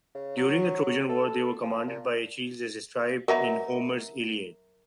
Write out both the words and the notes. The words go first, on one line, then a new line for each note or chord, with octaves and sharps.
During the Trojan War, they were commanded by Achilles, as described in Homer's "Iliad".
C#3
F#3
A4
F3
A#2
F#3 B3 D#4 A#4 E5 A#5